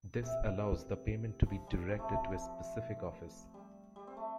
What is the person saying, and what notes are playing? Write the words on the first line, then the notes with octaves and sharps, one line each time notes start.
This allows the payment to be directed to a specific office.
C3
F3
G3
C4
A3
A3
F3
F3
G3
G3
C4
A3